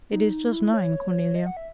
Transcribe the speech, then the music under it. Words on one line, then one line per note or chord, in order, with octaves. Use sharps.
"It is just nine, Cornelia."
D#4
E4
C#5
D#5
F#5
E5